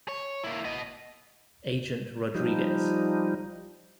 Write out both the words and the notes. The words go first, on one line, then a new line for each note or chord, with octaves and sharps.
Agent Rodriguez.
C#5
A#3 E4
B3 D#5
F3 G3 D#4